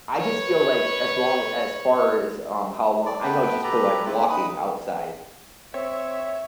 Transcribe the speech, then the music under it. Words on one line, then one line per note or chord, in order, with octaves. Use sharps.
I just feel like as long as far as, um, how long I know just for, like, walking outside,
B4 C#5
D5
A3 B3 B4 G5
G4 A4 B4 A#5
A3 C4 E4 B4
D#4 B4 B5 D#6
C4 C#5 E5